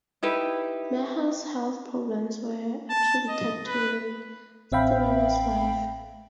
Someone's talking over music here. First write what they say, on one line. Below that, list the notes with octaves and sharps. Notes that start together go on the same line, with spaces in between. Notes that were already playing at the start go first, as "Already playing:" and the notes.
Maher's health problems were attributed to a strenuous life.
D#4 E4 G4 B4
A5
D#5
B4
A1 C4 E5 F5 G5 B5